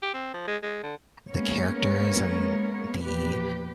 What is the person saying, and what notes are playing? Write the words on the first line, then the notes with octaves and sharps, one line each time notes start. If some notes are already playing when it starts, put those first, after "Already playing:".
the characters and the
G4
C4
F3
G#3
G#3
D3
G#3 A#3 B3 C#4 A#4 C#5
E2 A#2 F3 G4 B4